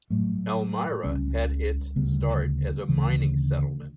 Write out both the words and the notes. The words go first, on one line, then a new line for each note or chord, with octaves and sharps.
Elmira had its start as a mining settlement.
A2 F#3 A3
C#2 C#3 G3 C#4
D2 C#3 G3 B3
D2 C#3 E3